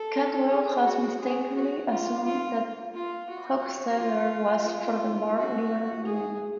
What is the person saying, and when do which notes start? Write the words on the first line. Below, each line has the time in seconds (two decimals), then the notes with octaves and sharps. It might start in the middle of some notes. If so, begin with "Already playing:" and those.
Cantwell has mistakenly assumed that Hockstader was for the more liberal man.
Already playing: A4
0.51 G#4
0.86 F#4
1.21 G#4
1.56 F#4
1.90 F4
2.24 F4
2.94 F4
3.29 F#4
3.98 F4
4.68 F4
5.37 F#4
6.06 G#4